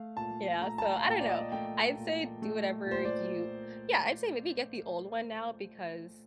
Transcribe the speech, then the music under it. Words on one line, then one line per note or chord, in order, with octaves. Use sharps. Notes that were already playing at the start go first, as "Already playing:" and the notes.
Yeah, so I don't know. I'd say do whatever you Yeah, I'd say maybe get the old one now because
Already playing: A3 F5
A#2 A5
A3 A#5
A5
A#5
F5
A#2 G5
D5
D#5
A3 G5
A#2
A3
A#2 C5
D5